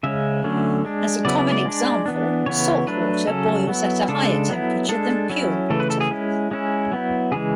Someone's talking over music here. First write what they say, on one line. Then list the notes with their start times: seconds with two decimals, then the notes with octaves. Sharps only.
As a common example, salt water boils at a higher temperature than pure water.
0.03 C#3 G#3 C#4 E5
0.44 D3 F#3 A3 C#4
0.85 G#3 D4
1.25 C#3 F#3 B3 E4 D5
1.39 D5
1.52 D5
1.65 G#3 D4
2.06 E3 B3 D4
2.46 C#3 E3 B3 C#5
2.87 F#3 A3 D4 B4
3.27 C#3 F#3 C#4 A4
3.68 F#3 B3 E4
4.08 C#3 G#3 D4 A4
4.49 F#3 B3 E4
4.89 G#3 D4 A4
5.29 F#3 C#4 E4
5.70 C#3 E3 A3 A4
5.80 B4
5.90 A4
6.01 G#4
6.11 G#3 C#4 E4
6.51 G#3 C#4 E4
6.92 F#3 B3 E4
7.32 C#3 E3 G#3 G#4